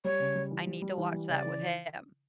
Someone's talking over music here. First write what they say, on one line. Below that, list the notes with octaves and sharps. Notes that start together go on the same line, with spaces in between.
I need to watch that with him.
G3 C#5
C#3
G3
E3
G3
G3
E3
G3
C#3 D5
E3